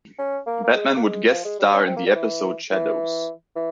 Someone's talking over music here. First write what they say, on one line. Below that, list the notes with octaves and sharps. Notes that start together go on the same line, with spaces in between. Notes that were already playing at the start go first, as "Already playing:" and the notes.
Batman would guest-star in the episode "Shadows".
C#4
A#3
A#3
G#3
A#3
G#3
F3
G#3
G3
C#4
C4
A#3
G3
E3
E3
E3